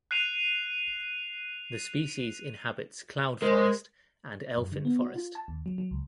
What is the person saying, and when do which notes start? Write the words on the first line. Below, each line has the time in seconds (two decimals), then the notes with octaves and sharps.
The species inhabits cloud forest and elfin forest.
0.11 F#6 C7 D#7 F7
3.42 G#3 A#4 C5
4.57 F#2
4.72 D3
4.85 B3
5.02 F#4
5.16 F4
5.35 A5
5.48 D#2
5.66 F#3
5.78 F#3
5.91 C#2